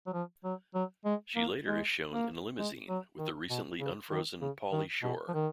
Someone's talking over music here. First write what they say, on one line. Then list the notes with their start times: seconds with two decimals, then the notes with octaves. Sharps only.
She later is shown in a limousine with the recently unfrozen Pauly Shore.
0.07 F#3
0.13 F3
0.44 F#3
0.75 F#3
1.05 G#3
1.36 A#3
1.67 G#3
2.13 A#3
2.59 G#3
2.89 F#3
3.19 D#3
3.50 B2
3.81 C#3
4.11 D#3
4.41 C#3
4.72 D#3
5.03 B2
5.28 F3
5.34 D#3